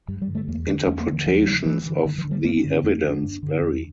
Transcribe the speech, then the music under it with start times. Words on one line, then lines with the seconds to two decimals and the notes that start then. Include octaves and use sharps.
Interpretations of the evidence vary.
0.08 G2 G3
0.22 G3
0.28 D3
0.35 A3
0.48 E2 A#3
0.67 D3
0.87 E2 C#4
1.00 A#3
1.07 D3
1.13 E3
1.26 E2 F3
1.46 C#3 G3
1.66 G2 E3
1.86 D3
2.05 G2 D3
2.18 E3
2.25 D3
2.31 G3
2.44 G2 A#3
2.57 C#4
2.64 D3
2.71 C#4
2.84 F2 A#3
3.03 D3
3.10 D4
3.24 G2
3.43 D3
3.62 E2